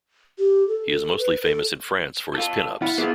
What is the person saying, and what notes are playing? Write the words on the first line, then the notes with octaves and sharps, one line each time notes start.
He is mostly famous in France for his pin ups.
G4
A4
A4
B4
A4
F4 A4
E4 F4 F#5
B3 E4 F4 G#4